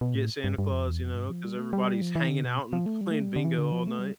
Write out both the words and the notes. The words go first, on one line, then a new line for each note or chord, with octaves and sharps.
get Santa Claus?" You know, 'cause everybody's hanging out, and playing bingo all night.
B2
A2
G2
G2
F2
E2
F2
G2
F3
G3
A3
G3
F3
E3
D3
B2
F3
A3
G3
A3
G3
D3
E3
D3
F3
A3
G3